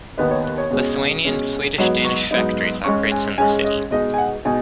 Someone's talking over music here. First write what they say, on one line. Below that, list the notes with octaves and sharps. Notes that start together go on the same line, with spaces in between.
Lithuanian, Swedish, Danish factories operates in the city.
D#2 D#3 B3 D#4 B4
C#5
B4
C#5
B2 G#3 C#4
B2 G#3 C#4
G#2 F#3 B3 D#4 C#5
C#6
G#2 F#3 B3 D#4
G#2 G#3 C#4 C#6
G#5
G#2 G#3 C#4 G#5
D#5
B2 G#3 D#4 D#5
G#5
F#5
B2 G#3 D#4 G#5